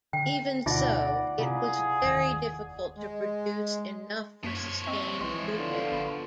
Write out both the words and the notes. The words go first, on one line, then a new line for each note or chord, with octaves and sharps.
Even so, it was very difficult to produce enough for sustained treatment.
D3 G5
D2 B2 D#4 F4 D5 E5 F#5
C3 E4 F4 G#4 F5
F1 D#2
G#3
F#2 F3 A#3 C#5 B6
C4 D#5 E5
B1 E3 G#3 C6
D3 B3 F4
G1 B5